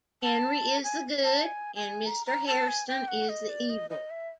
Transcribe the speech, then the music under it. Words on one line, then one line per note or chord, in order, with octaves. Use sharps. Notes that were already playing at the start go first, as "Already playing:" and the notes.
Henry is the good, and Mr. Hairston is the evil.
A5
G#5
A5
G#5
G#5
A#5
A#5
A5
G#5
G5
F#5
D#5
D5
D#5
D#5
E5